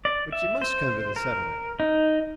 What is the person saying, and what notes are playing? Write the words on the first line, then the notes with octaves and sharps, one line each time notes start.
But you must come to the Settlement.
D5
E5
C5
A#4
D#4